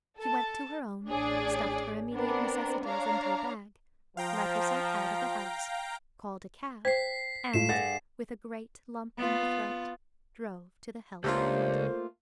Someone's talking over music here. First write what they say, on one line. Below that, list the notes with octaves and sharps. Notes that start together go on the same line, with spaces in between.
She went to her own, stuffed her immediate necessities into a bag, let herself out of the house, called a cab, and, with a great lump in her throat, drove to the help of Letty.
A4 A5
A1 D4 G#4 C#5 D5
B3 C4 D4 A#4
D4 C#5 F5 A#5
F3 F5 G5 A#5
C5 G5 B6 C7
A2 A3 F4 C7 E7
G2 G#4 F#5 A6 A#6
B3 F4
C#2 A3 A#3 D4 F4 G4 C5